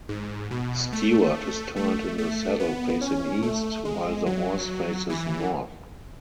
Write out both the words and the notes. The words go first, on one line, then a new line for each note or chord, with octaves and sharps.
Stuart is turned in the saddle facing east while the horse faces north.
G#2
B2
A3
A3
A3
B3
C#4
A3
G#3
F#3
E3